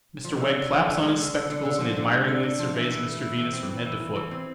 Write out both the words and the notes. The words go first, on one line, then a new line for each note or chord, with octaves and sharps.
Mr Wegg claps on his spectacles, and admiringly surveys Mr Venus from head to foot.
F3
D3
D3
F3
D3
G#3
D3
D3
D3
D3
F3
D3
G#3
D3
D3
F3
E3
E3
A3
E3
E3
C4
E3
E3
E3
E3
C4